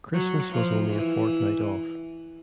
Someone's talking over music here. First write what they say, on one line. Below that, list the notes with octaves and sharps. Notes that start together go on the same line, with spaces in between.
Christmas was only a fortnight off.
F#3
F3
E3